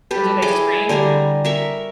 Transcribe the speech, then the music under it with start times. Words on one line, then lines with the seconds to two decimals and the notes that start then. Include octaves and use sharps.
Uh, do they scream?
0.11 G4 A4 B4
0.42 E4 G#4 D#5 D6
0.89 D3 G3 G#5 A#5
1.45 A#4 E5 C#6